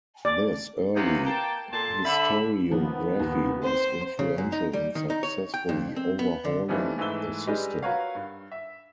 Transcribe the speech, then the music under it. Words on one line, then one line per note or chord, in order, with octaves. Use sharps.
This early historiography was influential in successfully overhauling the system.
D5
C3 D#3 E3 F#3 A#3 B3
A#3 G5 A5
A#2 A4 A5 C6
D3 E5 B5
D#3 F3 A#3 B3
D#2
C4 C5
C#3
F#2
D#4
G3
D#3
D#4
C#5
G5
F2
C4
B3
D3
E3 F3 G3 A3 B3 D#4
G#2 E3 A3 B4 E6 G7
G3 G#3 D4 G4 B4 D#5
F4 F#4 A#4 B4 C#5 F5
G2
E5